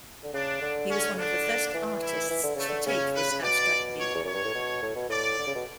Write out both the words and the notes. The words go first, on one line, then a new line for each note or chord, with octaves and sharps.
He was one of the first artists to take this abstract leap.
D3
C#3 D4
D3
C#4
C#3
D3 D4
E3
E4
E3
D3
C#3 A3
D3
C#3 C#4
B4
C#3
B2 D5
C#5
E2
F#2 C#5
G2
A2
B2
A2
B2
A2 D5
D3
C#3
B2